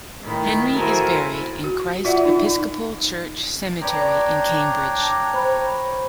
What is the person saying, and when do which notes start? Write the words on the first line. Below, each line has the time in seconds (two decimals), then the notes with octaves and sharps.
Henry is buried in Christ Episcopal Church Cemetery in Cambridge.
0.23 A2 D#3 B5
0.74 E4 F#4 A4 A#4 C5 G#5
1.64 F#4
2.05 F4 D5 E5 F#5
2.25 D#4 F4
2.46 D#4
3.81 C4 D4 B4 C#5 D5 G5 A#5 D6
5.34 C5 B5